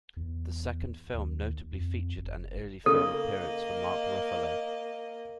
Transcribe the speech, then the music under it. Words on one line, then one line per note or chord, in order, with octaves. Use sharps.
The second film notably featured an early film appearance for Mark Ruffalo.
E2
D#2
F2
F#1
C#3 A#3 A4 D#5